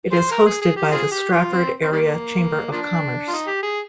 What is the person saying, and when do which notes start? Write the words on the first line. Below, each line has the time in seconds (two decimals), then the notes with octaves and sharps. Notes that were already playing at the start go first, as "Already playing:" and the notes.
It is hosted by the Strafford Area Chamber of Commerce.
0.12 F4 G#4 C5
0.32 A#4
0.47 G#4
0.61 G#4
0.76 G4
0.92 C4 F4 G#4
1.12 G4
1.32 F4
1.52 C4
1.82 C4
1.92 D#3 G3 A#3
2.72 F3 A#3 D4
3.28 F4
3.33 D#4
3.47 G4
3.63 G#4